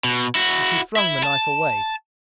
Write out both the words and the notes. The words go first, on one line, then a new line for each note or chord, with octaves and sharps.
But she flung the knife away.
B2
E4 F#4
E4 E5
A5